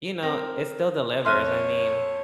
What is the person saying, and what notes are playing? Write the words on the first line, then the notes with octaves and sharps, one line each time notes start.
you know, it still delivers. I mean,
C4 A#4 A#6
F2 C#5 E5 C6 F6 F#6 D#7